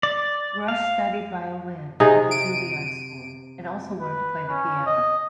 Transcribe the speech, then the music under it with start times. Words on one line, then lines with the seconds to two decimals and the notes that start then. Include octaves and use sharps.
Rush studied violin at the Juilliard School, and also learned to play the piano.
0.03 D5
0.68 F5
2.00 C3 D#4 G#4
2.31 D7 D#7
4.01 B4
4.50 C#4
4.86 D#5